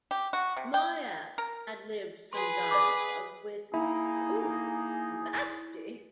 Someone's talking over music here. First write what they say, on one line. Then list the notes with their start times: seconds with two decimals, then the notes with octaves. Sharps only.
Myatt ad-libbed some dialogue, with Ooh, nasty!
0.11 G4
0.33 F#4
0.57 C3
0.74 G5
1.38 A#4
2.33 G#4 B4 C6
2.71 D5 B5 D6
3.74 A#3 D#4 E4 G#4